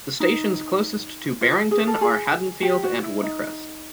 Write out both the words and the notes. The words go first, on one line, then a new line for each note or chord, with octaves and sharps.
The stations closest to Barrington are Haddonfield and Woodcrest.
D#4
F4
G#4
A4
G#4
G4
F#4
E4
D#4